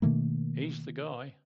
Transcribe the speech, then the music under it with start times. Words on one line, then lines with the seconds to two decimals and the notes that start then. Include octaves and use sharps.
He's the guy!
0.02 B2 D#3 A3 A#3